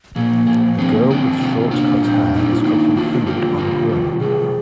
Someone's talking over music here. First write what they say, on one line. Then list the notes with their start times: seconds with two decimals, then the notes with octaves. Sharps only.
A girl with short cut hair is cooking food on a grill.
0.16 A#2 F3 A#3 G#4
0.47 A#2 F3 G#4
0.78 F2 D#3 G#3 C4 D4 G#4
0.93 A#3
1.08 F2 D#3 G#3 C4 D4 G#4
1.40 C3 D#3 A#3 F4
1.71 C3 D#3 A#3 D4 F4
2.02 A#2 G3 C4
2.33 A#2 G3 C4 D#4
2.43 D4
2.52 F4
2.57 D#4
2.64 D#3 A#3 D4
2.96 D#3 A#3 D4 F4
3.12 F4
3.26 F2 D3 G3 A#3 F4 G4
3.58 F2 D3 G3 A#3
3.89 C3 D#3 G3
4.20 C3 D#3 G3 G#4